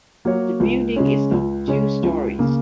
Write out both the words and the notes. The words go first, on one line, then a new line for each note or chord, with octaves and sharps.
The building is of two storeys.
F#3 A#3 F#4 C#5
C#2
C#3 G#3 C#4
C#2
C#3 G#3 C#4
C#2
C#3 A#3